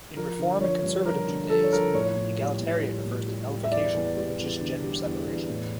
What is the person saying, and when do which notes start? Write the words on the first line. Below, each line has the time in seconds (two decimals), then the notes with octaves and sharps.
In Reform and Conservative Judaism, egalitarian refers to nullification of religious gender separations.
0.16 F3 A#4
0.39 D3
0.61 F3 C#5
0.83 G2
1.05 F3 A#4
1.28 D3
1.50 F3 A4
1.63 C#5
1.72 F3 A#4
1.94 A2 C#5
2.16 A2
2.39 G3
2.61 A2
2.83 G3
3.05 A2
3.27 G3
3.50 G3
3.63 E5
3.71 E2 D5
3.94 E2
4.16 G3
4.39 E2
4.61 D3
4.83 G3
5.05 E2
5.27 E2
5.50 A2